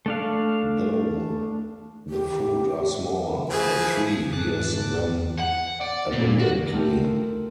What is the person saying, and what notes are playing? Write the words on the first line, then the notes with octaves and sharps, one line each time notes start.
Though the fruit are small, the tree bears them abundantly.
A3 D4 F5
G4
E3 F3 G#4
F2 G#2 A5 D6 F#6
F#5
D5
A#2
F#4
A3 D4 F4 A#4 F5 G5